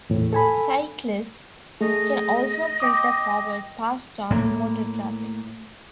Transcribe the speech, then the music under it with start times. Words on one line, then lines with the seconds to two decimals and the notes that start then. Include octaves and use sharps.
Cyclists can also filter forward past stopped motor traffic.
0.10 E2 A2
0.33 A4 G#5 B5
1.81 A3 G#4 D#5
2.80 G5 D6 D#6
4.30 A2 A#3